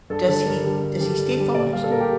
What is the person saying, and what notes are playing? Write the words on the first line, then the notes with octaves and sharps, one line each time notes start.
does he does he stay focused?
G2 A4
D3 G3 A4
G2 A#4
D3 G3
G2
D3 G3
G2
D3 G3
A#2 D5
G3 F5
A4
A#2 A#4
G4